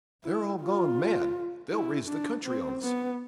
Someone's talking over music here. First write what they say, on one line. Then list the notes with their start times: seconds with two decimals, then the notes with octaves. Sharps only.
'They're all gone mad--they'll raise the country on us.
0.24 E4
0.61 F4
1.71 E4
2.08 D4
2.45 C4
2.83 B3